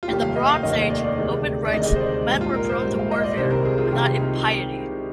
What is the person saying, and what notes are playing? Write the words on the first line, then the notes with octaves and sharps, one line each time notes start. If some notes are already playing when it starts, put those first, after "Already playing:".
In the Bronze Age, Ovid writes, men were prone to warfare, but not impiety.
F4
F1 D#2 D#3 G3 G4
F5
D#5
F5
F1 D#2 D#3 G3 D#5
D#5
D5
D5
D2 C3 D#3 G#3
D5
D2 C3 D#3 G#3 D#5
C5
D5
A#1 G#2 G3
F4
A#4
C5
A#1 G#2 G3
F5
D#5
D5
C2 C3 D#3 G3 C5
A#4
G#4
F4
C2 C3 D#3 G3 G4
F4
D#4